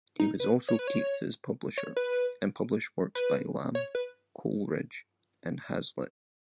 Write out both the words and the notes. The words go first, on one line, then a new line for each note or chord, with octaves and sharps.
He was also Keats's publisher, and published works by Lamb, Coleridge and Hazlitt.
D#4
B4
C#5
B4
C#5
C#5
B4
B4
C#5
B4